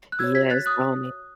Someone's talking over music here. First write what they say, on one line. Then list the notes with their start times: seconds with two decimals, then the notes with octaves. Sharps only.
Yes, call me
0.12 F#6
0.19 F#4 C#5 E6 G#6
0.35 G#6 B6
0.50 F#6 A6
0.66 D#6 F#6